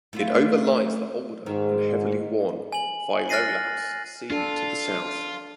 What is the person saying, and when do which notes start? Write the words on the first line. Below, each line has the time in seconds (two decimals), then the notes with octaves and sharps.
It overlies the older and heavily worn Philolaus C to the south.
0.13 A3 E4 F4
1.46 G#2 D#3
2.72 G#5 F#7
3.29 F6 F#6 A6 A#6 C7 D#7
4.30 D4 F4 A4